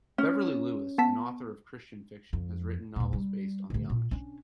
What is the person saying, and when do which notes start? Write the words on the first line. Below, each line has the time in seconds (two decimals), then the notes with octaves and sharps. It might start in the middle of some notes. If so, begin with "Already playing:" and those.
Beverly Lewis, an author of Christian fiction, has written novels based on the Amish.
0.18 C#4
0.98 B3 A5 B6
2.33 F2
2.96 D#2 A#2
3.13 G3
3.70 A1 D2
3.90 A#2
4.11 C#4 D4